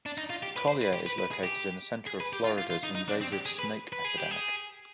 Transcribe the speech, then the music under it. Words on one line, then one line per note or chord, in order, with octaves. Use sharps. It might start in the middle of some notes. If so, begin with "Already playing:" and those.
Collier is located in the center of Florida's invasive snake epidemic.
D4
D#4
F4
G4
B4
C5
B4
G4
B4
B4
G#4
G4
G#4
B4
G4
F4
F4
F4
D#4
D#4
D4
C4
G4
G#4
B4
B4
G#4
G4
G#4